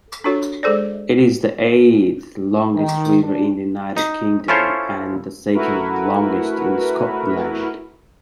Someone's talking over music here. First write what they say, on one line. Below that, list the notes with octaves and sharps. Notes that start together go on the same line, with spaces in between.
It is the eighth-longest river in the United Kingdom, and the second-longest in Scotland.
D4 F4 F#4 A4 C#5
G#3 G#4 A4 C5 D5
D#3
D4
D#4
C#4 E4 F4 A4 C5 C#5
A3 E4 F#4 A#4 B4